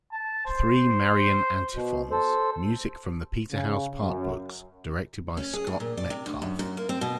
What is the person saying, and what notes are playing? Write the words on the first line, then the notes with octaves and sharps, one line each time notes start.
Three Marian Antiphons : Music from the Peterhouse Partbooks, directed by Scott Metcalfe.
A5
C5
B2
A4 C5
C#3
F#2
C#4
G#4
F2
A#2
D5
C3
D2
F#2
F#2
A#3
C4
B2